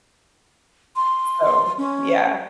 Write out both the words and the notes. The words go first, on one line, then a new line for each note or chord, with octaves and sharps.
“So, yeah,
C6
C#4